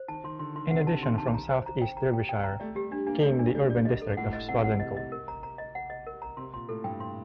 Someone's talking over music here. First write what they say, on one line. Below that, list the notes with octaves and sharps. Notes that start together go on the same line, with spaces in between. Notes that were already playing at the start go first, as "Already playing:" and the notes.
In addition from South East Derbyshire came the Urban District of Swadlincote.
Already playing: C5
D#3 A5
D#3 C6
D3 C6
D#3 C6
C3 F#5
D3 A5
D#3 C6
A5
A#5
C5
A#5
G5
A#5
G5
G5
A#5
A3 D5
G3 G4
G3 D4
A#3 D4
A3 D5
D4
G3 D5
D5
G3 D#5
A4
A2 F#5
A2 D#5
C3 F#5
F#5
D#5
D#5
A#4
A#5
A#5
D#5
F#5
D#5
A#4
A#5
C3 C6
A#2 C6
A2 A4
G2 G5
C6